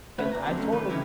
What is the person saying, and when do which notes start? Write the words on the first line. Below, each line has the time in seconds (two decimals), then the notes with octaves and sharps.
and I told the
0.18 A3 C#4 B4 E5
0.32 A#2 A#5
0.46 D3 F3 F#3 A#3 C4 D4
0.58 A3 C#4
0.72 G2 A#2 D#3 G3 A3 B4
0.89 C#3 E3 C#4 D#4 E4 G4